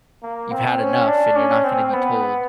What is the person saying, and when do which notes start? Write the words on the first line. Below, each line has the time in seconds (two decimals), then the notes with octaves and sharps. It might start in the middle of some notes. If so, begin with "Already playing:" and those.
you've had enough and you're not gonna be told
0.23 A#3
0.51 C4
0.80 C#4
1.08 D4
1.36 C#4
1.64 C4
1.93 B3